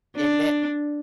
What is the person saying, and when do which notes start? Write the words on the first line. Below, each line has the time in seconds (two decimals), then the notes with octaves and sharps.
Did it?
0.16 D4